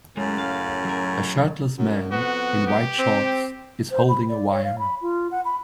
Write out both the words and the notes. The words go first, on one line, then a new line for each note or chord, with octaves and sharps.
A shirtless man in white shorts is holding a wire.
F#2 A2 C#3 G#3
F5
F#3 A#4
F#2
F2 B3 F#4
G4
C4
C5
B5
D5
C#5
F5
B5
F4
F#5
B5